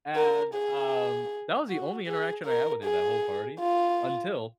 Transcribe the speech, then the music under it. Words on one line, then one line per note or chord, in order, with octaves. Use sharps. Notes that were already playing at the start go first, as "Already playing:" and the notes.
And, um, that was the only interaction I had with her, that whole party, until
A#4
G#4
F#4
G#4
A#4
G#4
F4